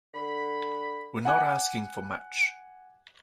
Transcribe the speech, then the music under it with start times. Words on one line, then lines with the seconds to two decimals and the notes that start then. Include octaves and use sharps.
We're not asking for much.
0.15 D3 B5
1.25 F#5 G#5 D6 F#6